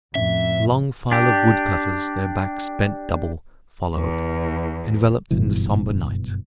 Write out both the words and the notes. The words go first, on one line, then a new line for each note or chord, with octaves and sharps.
A long file of woodcutters, their backs bent double, followed, enveloped in the somber night.
F1 F2 A2 C#4 E5
D4 G4
E2
F#1 G2 B2 E3